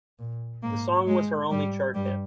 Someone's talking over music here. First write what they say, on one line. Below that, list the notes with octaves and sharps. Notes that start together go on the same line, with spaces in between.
The song was her only chart hit.
A#2
G#2 A#3
G#3
G#2 G3
G2 G3